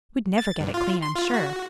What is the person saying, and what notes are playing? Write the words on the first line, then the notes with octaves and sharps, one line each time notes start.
"We'd never get it clean, I'm sure."
A6
G2
F4
C6
F4
F#4